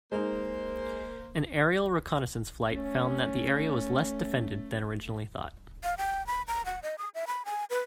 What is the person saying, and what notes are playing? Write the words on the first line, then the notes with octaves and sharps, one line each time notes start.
An aerial reconnaissance flight found that the area was less defended than originally thought.
G#3 A#3 D#4 C5
A3 C#4
F5
G5
B5
A#5
F#5
D#5
D#6
E5
B5
G#5
B4